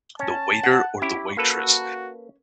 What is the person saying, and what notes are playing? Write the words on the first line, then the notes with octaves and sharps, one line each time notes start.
the waiter or the waitress
C#4 A5
F#5
C#4 E4 G4
A#3 F#4 A4 B4